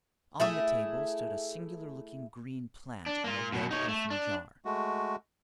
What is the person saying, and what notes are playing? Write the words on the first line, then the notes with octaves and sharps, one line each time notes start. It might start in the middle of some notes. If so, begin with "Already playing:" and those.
On the table stood a singular-looking green plant in a red earthen jar.
A3 E4 G#4
D4
A#3 F4
F#2 B2
D#4 C#5
A3
D4
G#3 A3 F#4